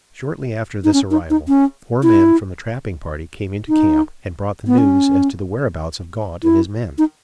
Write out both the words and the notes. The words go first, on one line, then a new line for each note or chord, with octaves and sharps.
Shortly after this arrival, four men from the trapping party came into camp and brought the news as to the whereabouts of Gaunt and his men.
D#4
C#4
D#4
D#4
C#4
E4
D#4
B3
C#4
E4
D#4